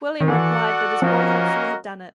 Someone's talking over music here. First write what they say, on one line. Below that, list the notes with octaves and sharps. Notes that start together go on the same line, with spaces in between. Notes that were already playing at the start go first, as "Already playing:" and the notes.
William replied that his boy Humphrey had done it.
D#3
E3 F#4 A4 D5 F#5
F3 A#3 C#4 F#4 A#4 D#5